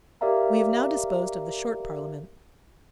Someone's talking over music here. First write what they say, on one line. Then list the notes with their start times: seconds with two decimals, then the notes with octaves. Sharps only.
We have now disposed of the Short Parliament.
0.21 G4 A#4 D5 E5 F5 A#5